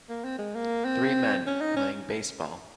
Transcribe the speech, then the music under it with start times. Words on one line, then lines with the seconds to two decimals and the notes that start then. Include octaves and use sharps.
Three men playing baseball.
0.09 A#3
0.24 C4
0.38 G#3
0.55 A#3
0.85 C4
1.47 C#4
1.61 D#4
1.76 C#4